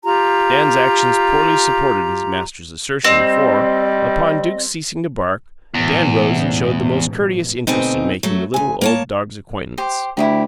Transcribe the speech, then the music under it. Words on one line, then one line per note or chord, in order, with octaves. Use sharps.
Dan's actions poorly supported his master's assertion, for, upon Duke's ceasing to bark, Dan rose and showed the most courteous interest in making the little, old dog's acquaintance.
F4 G4 A#5
G3 C4 D#5
A1 E2 G#2 B2
D2 B2 C4 D#4
F#3 A3
D2 G#5
A#3 C#5 A5
G4 C5
D2 E4 F4 G4